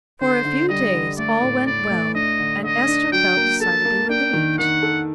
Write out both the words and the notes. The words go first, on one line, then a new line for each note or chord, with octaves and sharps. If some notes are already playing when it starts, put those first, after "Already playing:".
For a few days all went well, and Esther felt decidedly relieved.
D3 C5
D3
G3 D#5
D3
A3 D5
A2
A2 D5
A3
D4 D#5
D3
D3 D#5
D4
F#3 G5
A#3
A4 A5
A#3
D4 G5
D#3
D#3 F#5
A4